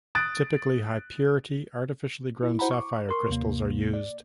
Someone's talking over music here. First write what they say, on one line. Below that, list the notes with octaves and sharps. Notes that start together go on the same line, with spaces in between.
Typically, high-purity artificially grown sapphire crystals are used.
D#6 F#6 A6 D7
E4
E4 F#4 C5 F#5 A#5 B5
C#6 D6
A#4 C6 C#6
D#2 C3 A#3
D5